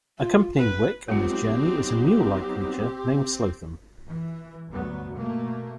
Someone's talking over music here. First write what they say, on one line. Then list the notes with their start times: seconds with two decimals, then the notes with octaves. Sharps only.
Accompanying Wik on his journey is a mule-like creature named Slotham.
0.19 F4
0.57 B4
1.08 F#3 G#3 B3 C4 D#4 F4 G4
4.05 E3
4.68 G1 D2 F#3 B3
5.16 B2 A3 A#3